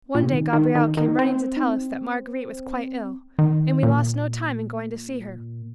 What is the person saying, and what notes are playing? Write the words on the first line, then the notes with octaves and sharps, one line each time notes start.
One day Gabriel came running to tell us that Marguerite was quite ill, and we lost no time in going to see her.
A#2
C3
D#3
D#3
D#3
D#3
D#4
C4
D#4
C4
D#3
A#2